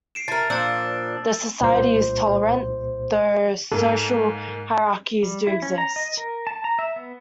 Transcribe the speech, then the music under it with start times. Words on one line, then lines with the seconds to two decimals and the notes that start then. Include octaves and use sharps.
The society is tolerant, though social hierarchies do exist.
0.15 C7 D7 E7
0.28 E4 A#4 A5 A6
0.50 A#2 F3 D4 E6 G6 A6
1.61 C2 A#2 C5
3.72 G#2 A#3 A4
5.23 G3
5.47 E4
5.62 C#4
5.78 A#5
5.96 D#5
6.17 A#4
6.47 A5
6.64 A#5
6.79 E5
6.96 B3